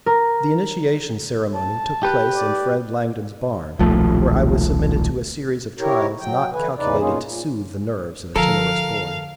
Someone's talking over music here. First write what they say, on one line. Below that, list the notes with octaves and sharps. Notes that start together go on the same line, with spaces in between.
The initiation ceremony took place in Fred Langdon's barn, where I was submitted to a series of trials not calculated to soothe the nerves of a timorous boy.
A#4
A5
G4 B4
D5
D#1 B1 F3 A3
E4 G4 A#4 C#5
F#3 G5
D3 E3 B4 G#5
E2 C#3 E3 D#4 B4 D5
B2 A#3 C#4 D#4 F4 G#4
A#2
D3 F3 A4 A#4 F5